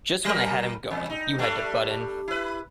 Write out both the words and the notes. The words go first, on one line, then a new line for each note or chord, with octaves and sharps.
Just when I had him going, you had to butt in!
F#3 A#4
E2
D#4
G3 A3 D4
E4 B4